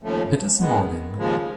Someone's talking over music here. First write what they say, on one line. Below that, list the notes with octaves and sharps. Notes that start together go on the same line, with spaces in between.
It is morning.
D#2 C#3 F3 A3
F#2 D#3 G#3 B3
D#2 C#3 F3 G#3